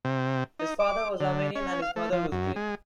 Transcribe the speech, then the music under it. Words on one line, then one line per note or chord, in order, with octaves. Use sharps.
His father was Armenian and his mother was Greek.
C3
D#4
D6
D3
C#4
F5
A3
F3
F#2
G#3